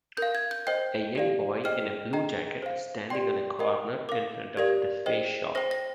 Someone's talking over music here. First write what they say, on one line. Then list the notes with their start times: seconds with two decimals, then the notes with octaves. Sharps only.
A young boy in a blue jacket standing on a corner in front of THEFACESHOP.
0.17 A#4 F5 G6
0.35 G#6
0.51 G6
0.67 C5 D#5 G5 G6
1.15 G4 D5 F5
1.64 G#4 C5 D#5 G5 F6
2.13 G#4 D#5 G5 A#5
2.62 C5 F5
3.10 G4 D5 G5 C6
3.59 A#4 D#5 G5
4.09 A#4 F5 D6
4.57 G4 A#4 D5 F5 G#6
5.06 G#4 C5 D#5 G5
5.55 C5 G5 A#6
5.71 A#6